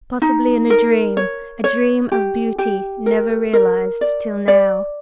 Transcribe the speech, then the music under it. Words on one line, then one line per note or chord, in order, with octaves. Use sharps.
"Possibly in a dream,--a dream of beauty never realized till now!"
D#4
A#4
C#5
C#5
G4
G4
A#4
A#4
D5
D5